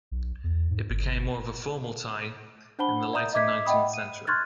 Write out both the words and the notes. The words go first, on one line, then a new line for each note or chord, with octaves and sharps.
It became more of a formal tie in the later nineteenth century.
B1
E2
G#2
G1
D4 C5 F#5 A5 B5 G7
D5 E5 A#5 D#6 G6
D#5 E5 D6 G#6 B6
D#5 E5 F#5 G5 B5 D#6
D#7
C6 C#6 F6 F#6 G#6 A6